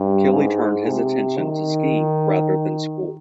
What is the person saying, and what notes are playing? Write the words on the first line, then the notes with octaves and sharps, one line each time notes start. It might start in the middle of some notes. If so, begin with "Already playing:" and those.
Killy turned his attention to skiing rather than school.
Already playing: G2
G#2
C3
D#3